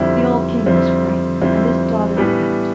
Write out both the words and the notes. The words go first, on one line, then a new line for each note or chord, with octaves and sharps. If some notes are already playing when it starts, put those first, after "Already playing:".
The old King was frightened, and his daughter wept.
Already playing: F2 D3 G3 C4 E4
F2 D3 G3 C4 E4
F2 D3 G3 C4 E4
A2 E3 G3 B3 D4